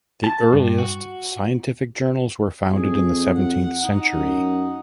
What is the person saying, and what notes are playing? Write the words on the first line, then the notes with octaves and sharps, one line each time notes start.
The earliest scientific journals were founded in the seventeenth century.
A5
G2
F#4
F2 G#4
F#5
D#4 F#5
F#2